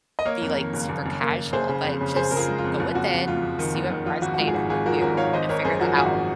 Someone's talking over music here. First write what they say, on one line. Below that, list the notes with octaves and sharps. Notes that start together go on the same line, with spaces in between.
be, like, super casual, but just go within, see what resonates with you, and figure that out.
D#5
A#3 A#4 C#5
F2
D#3
F#1
F#1
F#1
A#3
A#3
F#1 G#4 C5
C#3
F2
C#3
F#1 G#4 C5
C#3 A#4
F4 G#4
G#3
F4
F2
F#1 F4
F#1 F#4
F2
F2 F4
F2
D#3
F#1
D#3
F3 F4
G#1 F#4
F#4
G#2 F4
G#4
G#1 F#4
G#1 F4 G#4
F3 F#4 A#4
G#1 F#4 A#4
G#2 C#5 F5
G#1 C5 D#5
G#1 A#4 C#5
F#2 G#4 C5
F3 F#4 A#4
G#1 F#4